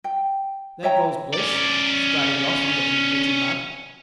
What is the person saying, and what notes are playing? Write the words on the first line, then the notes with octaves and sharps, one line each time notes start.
There goes Bliss, striding off and looking pretty mad.
G5
C#5 E5 G5 A#5
C#4 D5